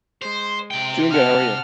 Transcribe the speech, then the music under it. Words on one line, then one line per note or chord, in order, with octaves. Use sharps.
Doing good, how are you?
G#3 C5
C3 G5
F#5 A5 F6